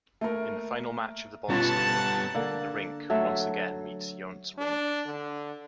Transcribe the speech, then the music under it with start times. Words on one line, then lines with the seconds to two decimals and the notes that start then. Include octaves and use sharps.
In the final match of the bonspiel, the rink once again meets Yount's rink.
0.21 A3 A#3 A#4
1.50 B2 G3 B3 C#4 F4 C#5 F#5 A5
2.35 D3 A#3
3.10 F#3 A3 E5
4.58 D4
5.06 D3